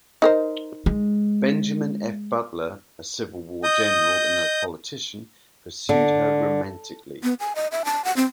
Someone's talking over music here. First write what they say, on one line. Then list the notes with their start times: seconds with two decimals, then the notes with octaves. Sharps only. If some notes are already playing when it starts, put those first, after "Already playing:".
Benjamin F. Butler, a Civil War general and a politician, pursued her romantically.
0.22 D#4 A#4 C5
0.86 G#3
3.64 D#5 D#6 G6
5.89 D3
7.23 B3
7.40 G#5
7.55 D#5
7.72 E5
7.85 A5
8.05 F#5
8.17 C4